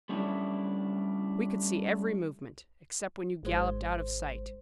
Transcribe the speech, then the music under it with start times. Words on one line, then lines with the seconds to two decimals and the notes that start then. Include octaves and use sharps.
We could see every movement, except when you galloped out of sight.
0.09 G3 A3 C#4 D4 E4
3.43 G#1 G#3 C5